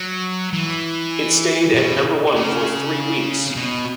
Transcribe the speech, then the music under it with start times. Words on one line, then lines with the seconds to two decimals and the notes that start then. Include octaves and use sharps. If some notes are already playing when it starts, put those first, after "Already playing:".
It stayed at number one for three weeks.
Already playing: F#3
0.53 E3
1.74 B2
2.36 C#3
3.56 B2